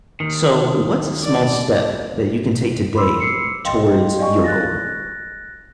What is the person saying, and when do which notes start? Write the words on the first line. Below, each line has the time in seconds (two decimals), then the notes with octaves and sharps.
So, what's a small step that you can take today towards your goal?
0.20 D#2 D#3
1.23 D5
2.95 B5 C6 D6 E6
3.20 E6 C7 C#7
3.65 D#5 F5 G5 C6
4.18 G4 D5 D#5 F5 G#5 C#6
4.44 F#6 A6 A#6